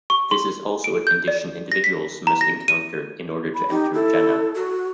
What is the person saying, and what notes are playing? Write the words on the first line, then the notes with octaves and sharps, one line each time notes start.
This is also a condition individuals must encounter in order to enter Jannah.
C#6
C6
D7
G6
D5
A#6
B6
A#5
A#6
D#7
B5
D#4 G4
E4 A4
F#4